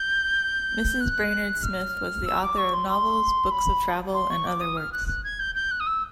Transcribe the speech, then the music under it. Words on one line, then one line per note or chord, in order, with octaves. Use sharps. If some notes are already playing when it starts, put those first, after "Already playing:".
Mrs. Brainerd Smith was the author of novels, books of travel and other works.
Already playing: G6
F#6
F6
E6
D6
C#6
C6
C6
B5
C6
C#6
D6
D#6
F6
F#6
F#6
G#6
G6
G6
F#6
D#6
E6